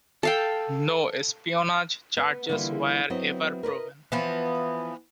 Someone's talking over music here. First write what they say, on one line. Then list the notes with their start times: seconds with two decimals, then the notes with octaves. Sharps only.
No espionage charges were ever proven.
0.23 A4 F5 G5
2.17 B3
2.49 D3 E3 G3 A#3 E4 F4
3.10 F#3 B3 C4 E4 D#5
3.63 A#4 B4 D5 D#5
4.12 E3 F3 B3